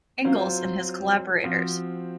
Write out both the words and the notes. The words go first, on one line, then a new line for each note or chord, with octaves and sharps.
Ingalls and his collaborators.
F#3 C4 F4 C5 F5
F3 C4 F#4